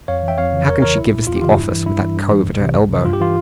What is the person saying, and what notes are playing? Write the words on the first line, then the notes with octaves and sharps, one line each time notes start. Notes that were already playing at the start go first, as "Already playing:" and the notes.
"How can she give us the office with that cove at her elbow?"
F2 C#5 F5
E3
E5 G5
F2 C#5 F5
C#3 E3
E2 A#4 C#5
C#3 E3 A#4 C#5
C2 E4
A#2
E2 F4
G4
C#3 E3 F4
G2 E4
E3
G2 E4
E3
G2
E3
C2
C3 E3
C#2
C3 E3
G2 F4
G4
E3 F4